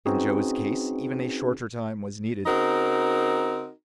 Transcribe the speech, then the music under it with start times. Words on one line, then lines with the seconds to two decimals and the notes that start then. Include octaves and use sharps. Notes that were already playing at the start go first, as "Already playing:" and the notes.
In Joe's case even a shorter time was needed.
0.06 C4 C#4 D#4 F#4 G#4 B4
2.46 C#3 C4 D#4 F#4 A#4